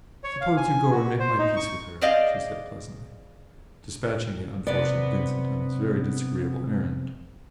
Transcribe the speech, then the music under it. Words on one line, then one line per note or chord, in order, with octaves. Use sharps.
"Suppose you go and make my peace with her," she said pleasantly, despatching the unfortunate Vincent on this very disagreeable errand.
C#5
F5
G#5
F#4
C5
D#4
C#6
G#4 C5 D5 D#5 F5
C3 B3 D5